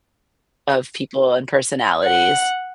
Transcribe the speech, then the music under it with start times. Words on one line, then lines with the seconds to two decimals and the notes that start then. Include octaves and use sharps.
of people and personalities.
2.05 F#5